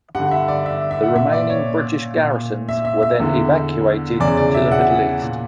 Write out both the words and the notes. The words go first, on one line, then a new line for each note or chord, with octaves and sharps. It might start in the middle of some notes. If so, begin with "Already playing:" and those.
The remaining British garrisons were then evacuated to the Middle East.
G2 D3 F#5
E5
D5
E5
E5
F#5
A#2 E5
D5
C#5
A#2
E5
E5
E5
E2 D3
E2 C#3 E3 D5
D5
E5
F#5
A#2